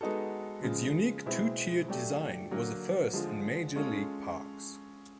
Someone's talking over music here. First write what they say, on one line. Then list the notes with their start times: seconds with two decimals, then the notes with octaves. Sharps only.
Its unique two-tiered design was a first in major league parks.
0.01 G#3 B3 D#4 F#4 A4
0.63 C#3 F3 G#3
1.26 B2 G#3 C4 E4
1.88 F#3 A3 D4 G4
2.51 D3 F#3 A#3
3.13 D3 F3 G#3
3.76 G#3 C#4 F4 A4